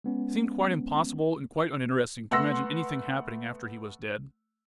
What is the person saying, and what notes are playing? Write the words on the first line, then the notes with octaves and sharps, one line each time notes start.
It seemed quite impossible and quite uninteresting to imagine anything happening after he was dead.
G#3 B3 C#4
A3 B3 F#5 C6 E6 A#6